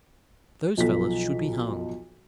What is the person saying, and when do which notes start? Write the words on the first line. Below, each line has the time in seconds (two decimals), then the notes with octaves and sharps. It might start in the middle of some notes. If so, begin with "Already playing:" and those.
Those fellows should be hung.
0.77 B1 F3 A4 B6